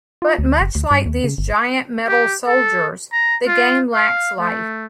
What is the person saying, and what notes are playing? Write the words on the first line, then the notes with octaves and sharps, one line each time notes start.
But much like these giant metal 'soldiers,' the game lacks life.
F4
D2
F#1
D2
G2
D#2
C#3
G1
G4
A4
A#5
F4
F5
A3